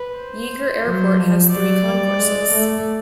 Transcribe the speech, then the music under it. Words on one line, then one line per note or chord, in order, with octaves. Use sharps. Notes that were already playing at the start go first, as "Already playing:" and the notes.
Yeager Airport has three concourses.
Already playing: B4
C5
F#3
F3
F#3 D5
G3
G#3
A3